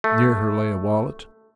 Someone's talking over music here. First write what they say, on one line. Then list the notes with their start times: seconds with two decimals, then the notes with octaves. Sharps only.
Near her lay a wallet.
0.04 A3